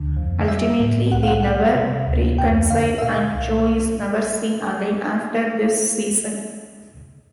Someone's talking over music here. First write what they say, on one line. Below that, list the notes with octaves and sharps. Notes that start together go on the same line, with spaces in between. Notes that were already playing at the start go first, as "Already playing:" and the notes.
Ultimately, they never reconcile and Joe is never seen again after this season.
Already playing: D2 D3
F2
G3 E5
A2
C2 F#5
F5
F#5
G3 F#5
C3
D2
F2 G5
D3 F5
E5
A#2 F5
C2